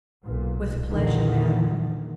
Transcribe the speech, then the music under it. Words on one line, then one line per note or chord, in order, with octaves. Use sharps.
"With pleasure, madam."
B1 A#2
E2 A#2 D3 D#3